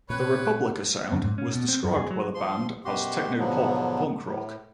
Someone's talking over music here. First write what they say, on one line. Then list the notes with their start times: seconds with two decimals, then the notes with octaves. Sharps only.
The Republica sound was described by the band as "technopop punk rock".
0.10 A#2 A#3 C4 B4 C#5 F#6
1.12 F#2
1.24 G#2
1.38 C#4
1.55 B2
1.68 C4
1.84 F#2
1.95 G#4
2.11 F#3
2.35 F3 C6
2.85 F#2 B2 F#4 G4 C6
3.39 G#2 B2 D3 F3 F#3 B3
4.25 A2